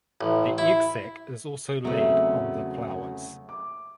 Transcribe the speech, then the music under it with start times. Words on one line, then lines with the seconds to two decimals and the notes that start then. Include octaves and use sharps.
The egg sac is also laid on the flowers.
0.21 A1
0.58 E4
1.85 E2 C#3 F#3 A3 C4 E5
3.49 D6